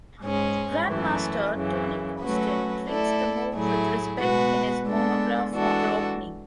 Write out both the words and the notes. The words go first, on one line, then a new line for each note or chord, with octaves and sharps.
Grandmaster Tony Kosten treats the move with respect in his monograph on the opening.
G#2 G#3 C#4 G#4
F#2 E3 A3
F#2 C#3 E3
F#3 A3 C#4 F#4 B4
A3 E4 A4 D5
A2 F#3 A3 E4 G#4
B2 G#3 B3 F#4 B4
G#3 B3 D4 A4
E3 G#3 D4 F#4 A4